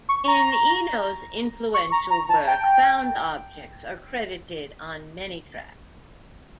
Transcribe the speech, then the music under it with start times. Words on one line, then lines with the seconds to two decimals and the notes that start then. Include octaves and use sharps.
In Eno's influential work, found objects are credited on many tracks.
0.09 C#6
0.28 A#5
1.74 C#6
1.92 A#5
2.10 A#5
2.29 A5
2.47 G5